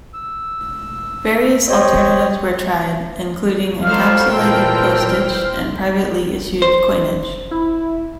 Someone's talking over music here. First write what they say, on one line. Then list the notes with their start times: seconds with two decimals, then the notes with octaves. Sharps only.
Various alternatives were tried, including encapsulated postage and privately issued coinage.
0.14 E6
1.69 G4 C5 C#5 D#5
3.83 F3 F#3 G#3 A4 C5 F5 F6
4.31 A#2 E3 A4 G5
6.62 C5
7.51 E4